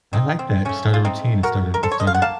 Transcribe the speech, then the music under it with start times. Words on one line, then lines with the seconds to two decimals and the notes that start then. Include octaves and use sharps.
I like that. Start a routine. It started it started
0.13 C4 D#4
0.39 C4
0.65 C#3 A3 C#4
0.94 F4
1.05 C4 D#4
1.43 F#4 A#4
1.74 A#4
1.83 A4 C5
1.91 C#5
2.00 D#5
2.07 F5
2.15 F#5
2.22 A#3 F5 A5